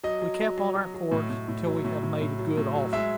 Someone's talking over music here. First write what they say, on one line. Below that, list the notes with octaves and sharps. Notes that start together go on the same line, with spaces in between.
We kept on our course till we had made a good offing.
F#3 D#5
F#3
F#3
F#3
F#3
F#3
A2
A2
A2
F#3
A2
A2
A2
F#3
A2
F#3
G#3 E5